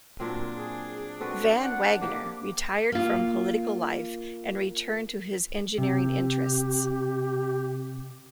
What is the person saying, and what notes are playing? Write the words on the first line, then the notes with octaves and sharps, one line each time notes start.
Van Wagoner retired from political life and returned to his engineering interests.
A#2 F#3 C4 D4
G#4
C4 F#4 A4 B4
F#5
A#3 G4 B4 D6
A#3 F4
C3 G4